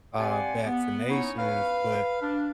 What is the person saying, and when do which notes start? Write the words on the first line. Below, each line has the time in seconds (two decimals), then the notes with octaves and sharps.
uh, vaccinations, but
0.19 C4 G4 D5 F5 F#5 G#5
0.66 B3
1.09 C#4 D#4 E4 C#5
1.38 B4 F5
2.22 D4